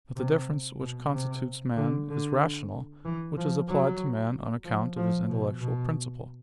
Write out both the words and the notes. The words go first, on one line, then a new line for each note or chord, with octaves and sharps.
But the difference which constitutes man is "rational," which is applied to man on account of his intellectual principle.
C3
B2
C3
D3
D3
E3
F3
F#3
F3
F3
B2
B2